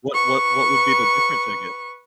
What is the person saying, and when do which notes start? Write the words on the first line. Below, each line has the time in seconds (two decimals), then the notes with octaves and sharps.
What what what would be the difference, I gue
0.11 B4 C#6